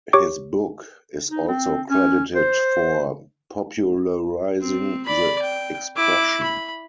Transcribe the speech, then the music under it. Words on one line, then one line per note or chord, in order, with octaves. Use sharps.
His book is also credited for popularizing the expression.
G4 C#5 C#6 D6
D#4
C4
C#4
C5
C4
D5 B5
G5
E4 D6
B5